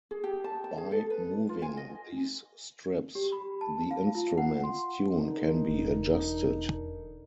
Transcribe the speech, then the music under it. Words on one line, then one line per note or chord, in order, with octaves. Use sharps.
By moving these strips, the instrument's tune can be adjusted.
G#4
G4
A5
A5
G#4
A4
B4
F4
G#5
D#5
G4
B5
A5
F5
F4
F#5
C6
D3 D#4 A#4
E1